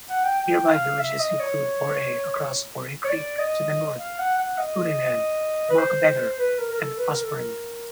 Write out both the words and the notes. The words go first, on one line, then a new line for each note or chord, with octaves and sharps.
Nearby villages include Oare across Oare Creek to the north, Luddenham, Mockbeggar and Ospringe.
F#5
G5
G5
F5
E5
D#5
C#5
C#5
D5
D#5
F5
F#5
F#5
D#5
B4
C5
B4
A#4
A#4
A4
B4
A#4
A4
A#4